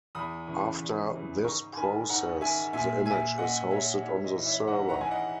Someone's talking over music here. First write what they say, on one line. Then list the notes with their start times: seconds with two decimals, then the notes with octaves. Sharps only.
After this process, the image is hosted on the server.
0.15 E2 B5 D#6
0.47 C#3 E3
0.80 E2
1.12 C#3 E3
1.44 G#2 A#5 C#6
1.77 D#3 G#5 B5
2.09 G#2 F#5 A#5
2.41 D#3 E5 G#5
2.73 A#2 E5 G#5
3.06 E5 G#5
3.38 A#2 D#5 F#5
3.71 C#5 E5
4.03 G#2 C#5 E5
4.24 D#5
4.36 E3
4.46 C#5 E5
4.67 G#2 D#5 F#5
4.89 F#5 A#5
5.00 E3 G#5
5.11 D#5 F#5